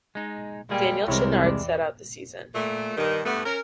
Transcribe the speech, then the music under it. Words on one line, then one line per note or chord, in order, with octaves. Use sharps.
Daniel Chenard sat out the season.
G#3 D#4
G3 G#3 A#3 G#4
C2 C3 E3 G#3 E4 A#4 C#5
E2 D5
A#2 A3
G2 D#3
G2 A3 B3
C#4 A#4